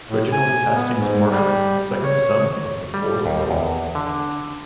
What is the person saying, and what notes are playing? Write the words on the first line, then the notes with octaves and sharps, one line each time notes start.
Reginald Hastings Marsham, second son of the fourth Earl.
A2
G#5
B3
G#2
G3
C#5
G3
D#2
E2
D3